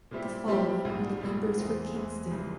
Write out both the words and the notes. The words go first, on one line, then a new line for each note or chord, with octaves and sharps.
The following were the members for Kingston.
A#2 G3 C4 E4 G4
A#2 G3 C4 E4 G4
A#1 G#2 G3
A#1 G#2 G3
E2 E3 G#3 C4
E2 E3 G#3 C4
C#2 C#3 E3 G3